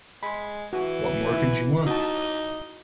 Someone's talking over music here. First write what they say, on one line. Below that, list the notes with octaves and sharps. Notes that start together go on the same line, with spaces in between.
What more could you want?
G#3 B5 C6
E3 F#4
E4
D#4 F#4 A5